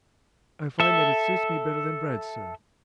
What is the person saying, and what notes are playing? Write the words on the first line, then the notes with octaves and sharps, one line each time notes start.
"I find that it suits me better than bread, sir."
A4 E5